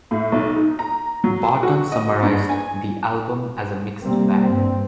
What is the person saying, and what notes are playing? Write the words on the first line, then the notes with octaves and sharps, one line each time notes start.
Barton summarised the album as "a mixed bag".
A2
B1
D#4
A#5
F#3
F#4
D#5
G2
G#5
C3 G3 A#3 C4
G2 C4